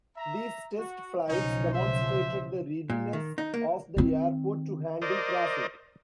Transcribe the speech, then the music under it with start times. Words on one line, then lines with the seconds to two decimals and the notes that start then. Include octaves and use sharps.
These test flights demonstrated the readiness of the airport to handle traffic.
0.17 E5 A#5
0.78 F#4
1.28 B1 C#3 F3 C#4 D#4 C#5
1.73 C5 E5
2.90 A#2
3.13 D#3
3.38 D#4
3.54 A#3
3.97 D#3 C4
5.02 A#4 C5 D5 D#5